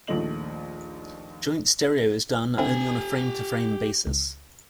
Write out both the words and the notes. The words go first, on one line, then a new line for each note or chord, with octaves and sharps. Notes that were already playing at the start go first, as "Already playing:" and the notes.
Joint stereo is done only on a frame-to-frame basis.
A#1 D#2 A3 D#5 F#7
D3 C4 E4 G4 G#5
C#2